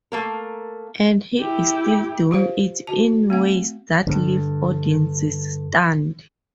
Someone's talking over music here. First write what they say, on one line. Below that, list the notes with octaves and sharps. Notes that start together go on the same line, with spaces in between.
And he is still doing it in ways that leave audiences stunned.
A3 A#3 A#4
E4 G4
F4 G4 C5 F5
F#4 A5
A3 C4 F#5
G2 D3